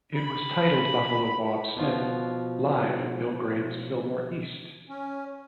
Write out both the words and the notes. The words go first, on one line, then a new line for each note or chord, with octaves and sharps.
It was titled, "Buffalo Bob Smith Live at Bill Graham's Fillmore East".
B5
B2 F3 F4 F#4
C#4